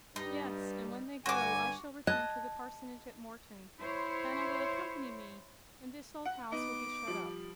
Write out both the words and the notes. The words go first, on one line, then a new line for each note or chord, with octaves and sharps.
"Yes; and when they go, I shall return to the parsonage at Morton: Hannah will accompany me; and this old house will be shut up."
G2 G3 D#4
G2 D3 F#4 G#5 D6
D#5 A5 F#6 G#6
E4 C5 C#5
F#5
B3 D#4 D6
F3 G3